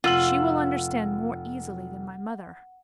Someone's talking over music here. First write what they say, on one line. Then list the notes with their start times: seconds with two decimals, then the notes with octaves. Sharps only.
She will understand more easily than my mother.
0.04 F1 F4 F#5 E6 F#7